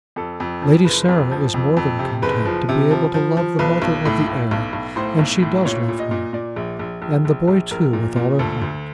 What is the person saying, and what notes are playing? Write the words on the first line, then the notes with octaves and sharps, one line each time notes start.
Lady Sarah is more than content to be able to love the mother of the heir, and she does love her, and the boy too, with all her heart.
F2 A4
F2
F3
F#1 B4
F2
F3
F2
F2
C3
F#1 B4
F3
C3
F3
F3
F3
B1 B4
B1
A2
A2
B1
B1
A2 C5
B1
A2
A#2 C#5
A#2
D#5
A#2
A#2 D5
A#1
A#1
A#1
A#1
A#1
A#1 A#4
A#2
A#2
D2 A4
D2